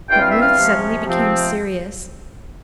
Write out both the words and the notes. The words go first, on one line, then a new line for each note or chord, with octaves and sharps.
But Ruth suddenly became serious.
G2 E3 G3 C4 F4 G5
F5
E5
F5
C3 F3 G#3 C#4
C3 F3 C4 F4